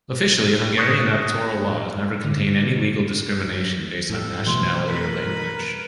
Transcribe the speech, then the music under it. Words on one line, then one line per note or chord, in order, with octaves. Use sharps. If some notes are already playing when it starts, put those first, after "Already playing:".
Officially, Hungarian electoral laws never contained any legal discrimination based on nationality or language.
C#6 D#6 F#6 A#6 C#7
D3
A2 G3 A4
B2 E3 A3 C6
A#4 B4 B5